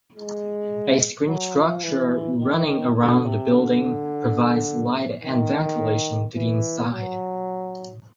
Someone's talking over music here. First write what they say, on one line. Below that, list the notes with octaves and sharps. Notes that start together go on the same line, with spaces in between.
A screen structure running around the building provides light and ventilation to the inside.
G#3
F#3
F3
E3
D#3
D3
C3
D3
D#3
E3
F#3